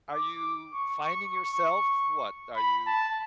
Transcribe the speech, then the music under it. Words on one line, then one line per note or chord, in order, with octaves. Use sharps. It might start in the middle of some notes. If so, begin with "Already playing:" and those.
are you finding yourself, what, are you
D6
C#6
C#6
C#6
B5
A5